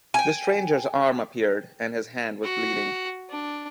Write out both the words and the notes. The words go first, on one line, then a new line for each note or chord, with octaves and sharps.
The stranger’s arm appeared, and his hand was bleeding.
G5 G#5
F#4
D4